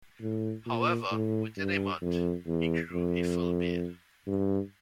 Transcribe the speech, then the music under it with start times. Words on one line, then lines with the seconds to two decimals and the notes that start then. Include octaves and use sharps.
However, within a month, he grew a full beard.
0.21 A2
0.66 A#2
1.11 A2
1.57 G2
2.02 F2
2.47 E2
2.92 F2
4.27 G2